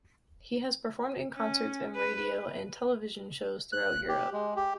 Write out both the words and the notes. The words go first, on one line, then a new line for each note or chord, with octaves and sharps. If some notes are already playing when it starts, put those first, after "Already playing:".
He has performed in concerts and radio and television shows throughout Europe.
C#4
B4
F#6
G4
G#3
G4